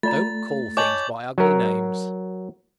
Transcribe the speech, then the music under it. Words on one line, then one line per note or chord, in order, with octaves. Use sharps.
"Don't call things by ugly names."
A3 F4 D5 A#5 A6
C#5 D#5 G#5 A5 D6 G6 F#7
F#3 A#4